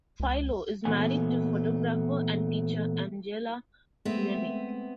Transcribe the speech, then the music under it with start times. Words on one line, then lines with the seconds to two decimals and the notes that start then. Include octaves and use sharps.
Filo is married to photographer and teacher Angela Buenning.
0.20 C#2
0.85 A#2 E3 F#3 A3 B3 G#5
4.05 G#3 A3 B3 C4 E5